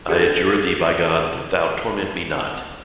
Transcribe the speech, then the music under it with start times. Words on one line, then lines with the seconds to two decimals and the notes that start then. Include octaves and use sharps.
I adjure thee by God, that thou torment me not.
0.08 D4 F#4 G#4 A4 G6 G#6